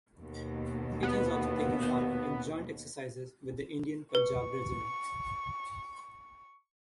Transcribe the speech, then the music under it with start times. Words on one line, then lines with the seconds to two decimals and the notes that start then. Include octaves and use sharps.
It has also taken part in joint exercises with the Indian Punjab Regiment.
0.19 D#2 B2
1.03 B3
4.15 B4 C#6